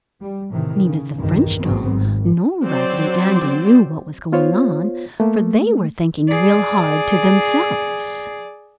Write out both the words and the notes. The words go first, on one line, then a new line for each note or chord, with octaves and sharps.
Neither the French doll nor Raggedy Andy knew what was going on, for they were thinking real hard to themselves.
G3
A2 C3 D#3 E3
C#3
B1 E2 G2 D#3
A1 G#2 F#3 B3 C4
G#1
F#3 C4 C5 D5
B3 F4 C5 C#5
A3 A#3
G#4 D5